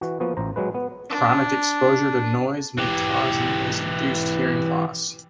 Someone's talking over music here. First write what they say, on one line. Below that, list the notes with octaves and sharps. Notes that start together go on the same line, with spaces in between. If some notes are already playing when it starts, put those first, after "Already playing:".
Chronic exposure to noise may cause noise-induced hearing loss.
E3 F#4
F3 A#3 B3 F#4
A1 C5 A#5
F#3 G#3 B4
B3
D4
E3 G4